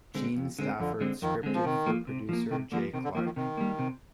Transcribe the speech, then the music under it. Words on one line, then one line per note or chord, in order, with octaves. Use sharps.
Gene Stafford scripted for producer Jay Clark.
D3 G#3 C4
F2
D3 G#3 C4
F2 D3
D3 G#3 C4
F2 D#3
D3 G#3 C4
F3
C3 D#3
F3 A#3
C3
F3 A#3
C3 D#3
D3 F3 A#3
C3 D#3
D3
D#3 F3 A#3
D#3
C3 D#3
G3 A#3
C3